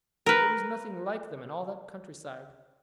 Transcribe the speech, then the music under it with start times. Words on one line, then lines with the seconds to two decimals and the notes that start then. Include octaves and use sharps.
There was nothing like them in all that countryside.
0.26 A#4 B4